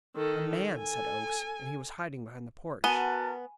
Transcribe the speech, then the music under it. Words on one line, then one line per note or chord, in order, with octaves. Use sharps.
"A man!" said Oakes, "and he was hiding behind the porch."
D#3 A4
A4 G#5
B3 F#4 A#4 G#5 A5 D#7 G7